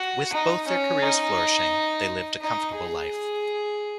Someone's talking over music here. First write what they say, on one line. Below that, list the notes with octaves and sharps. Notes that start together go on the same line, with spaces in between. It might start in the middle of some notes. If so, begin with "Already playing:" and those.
With both their careers flourishing they lived a comfortable life.
Already playing: F#4
D#4
C#4
D#4
D#4
G#4